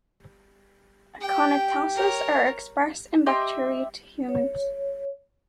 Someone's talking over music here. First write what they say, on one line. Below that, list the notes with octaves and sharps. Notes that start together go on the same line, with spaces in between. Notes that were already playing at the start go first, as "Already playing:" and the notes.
Aconitases are expressed in bacteria to humans.
G4 G5
A#4 C#5
G4 D#5 E5 C6
C#5